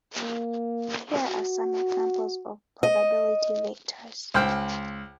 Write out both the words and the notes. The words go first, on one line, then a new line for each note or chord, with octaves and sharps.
Here are some examples of probability vectors.
A#3
F#4
D#5
C#2 C5 G5 F6